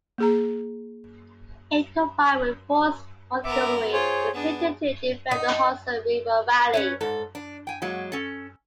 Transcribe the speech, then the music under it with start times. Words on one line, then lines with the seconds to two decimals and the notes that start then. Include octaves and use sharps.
It combined with Forts Montgomery and Clinton to defend the Hudson River Valley.
0.18 A#3 G#4 A#5
3.44 B3 A#4 E5 D6
3.93 F4 G#4 C5 C#5
4.34 B3 D4 G#4
5.31 D#4
6.74 C#4 B4 C#5
7.01 G#2 A4
7.35 D4
7.67 G5 G#5
7.82 F#3 G#3 A#3
8.12 C#4 A4